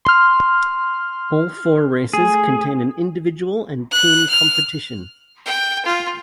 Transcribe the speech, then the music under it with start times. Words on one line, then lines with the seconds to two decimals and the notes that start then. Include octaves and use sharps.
All four races contain an individual and team competition.
0.05 C6 F6
2.13 A3 G#4 G#5
3.92 F#6
4.30 F6
5.46 G5
5.85 F4